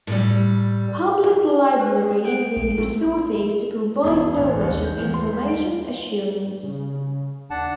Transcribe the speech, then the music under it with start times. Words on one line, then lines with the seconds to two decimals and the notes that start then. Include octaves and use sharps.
Public libraries need resources to provide knowledge of information assurance.
0.07 A2 G3
1.77 B4
1.97 G#4 F#5
2.24 F#5 G5 D7
2.57 A#1
2.78 A3 C4
4.03 E1
4.36 A1
4.61 D#2
4.84 G6
4.98 E2
5.14 C6
5.32 G3
5.48 D7
6.64 C#3
7.50 D#2 D4 F#5 A5